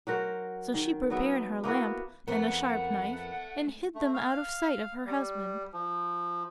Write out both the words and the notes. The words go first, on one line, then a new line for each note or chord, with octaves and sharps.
So she prepared her lamp and a sharp knife, and hid them out of sight of her husband.
F#3 F#4 A#4 C5
D#3
F#3 B3 E5
A#3 B3 E4 F#4
F2 A3 B3 A#4 C5 F#5
A3
F5
G3
F3